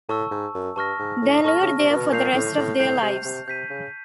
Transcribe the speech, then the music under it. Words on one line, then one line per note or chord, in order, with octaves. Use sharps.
They lived there for the rest of their lives.
A2 A5 C#6 E6
G#2
F#2
G2 A5 C#6 F6 A#6
G#2
A2
A2 A5 C#6 F6 A#6
C#3
C3
A#2
B2
A#2 G6 C7 F7
A2
A2
A2 G6 C7 F7
C3
C3
C3 G6 B6 D#7
C#3